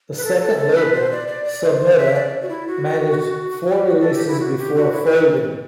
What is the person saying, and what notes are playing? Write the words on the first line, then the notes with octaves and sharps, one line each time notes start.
The second label, Submeta, managed four releases before folding.
B4
A4
A4
A4
B4
C5
D5
D5
D5
C5
C5
E5
D5
F#4
E4
F#4
F#4
A4
G4
E4
F#4
G4
F#4
E4